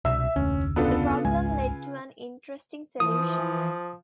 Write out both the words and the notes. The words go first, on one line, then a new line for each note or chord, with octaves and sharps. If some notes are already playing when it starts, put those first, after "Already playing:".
The problem led to an interesting solution.
C2 B2 D4 E5 E6
F1 D2 C#4
C#3 B3 D4 F4 A4 B4
G#1 C#2 G#3 G#5
E3 F3 D#6